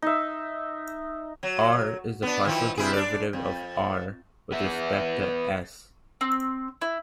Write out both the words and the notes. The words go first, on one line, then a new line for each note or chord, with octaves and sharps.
"R" is the partial derivative of "R" with respect to "s".
D#4 E5
F#3
B3 D4
D#3 F3 E4
C3 E4 G#4
D4 D5
F2
B3 E5
C4
E4